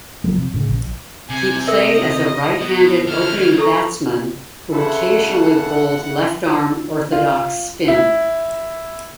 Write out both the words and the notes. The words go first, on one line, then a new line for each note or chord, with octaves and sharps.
He played as a right-handed opening batsman who occasionally bowled left-arm orthodox spin.
F3 F#3 G#3
C3
A2 C#3
A#1
C3 G#5
A4 A#4 D#5 E5
B2
D3 C#4 F6
A4 A#5 C#6
C#3 E3 C#4 E4 A4 C5 E5 F#5
F4
E4